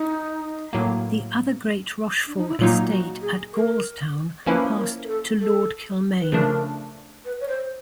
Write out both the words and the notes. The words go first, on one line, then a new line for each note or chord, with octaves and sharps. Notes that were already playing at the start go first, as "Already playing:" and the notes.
The other great Rochfort estate at Gaulstown passed to Lord Kilmaine.
Already playing: D#4
A2 F#3 A#3
D4
D#4
E4
A#2 F#3 A#3 D#4 F4
F#4
G#4
A#4
F3 A#3 C#4 E4 B4
A#4
A#4
A4
A4
B4
C#3 F3 A3 D4 A#4
B4
C#5
C5